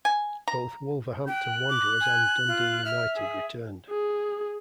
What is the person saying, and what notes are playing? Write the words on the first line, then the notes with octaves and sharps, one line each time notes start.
Both Wolverhampton Wanderers and Dundee United returned.
G#5
A#5
G5 F#6
D6
G#5
F4
E5 F6
G#4
G#4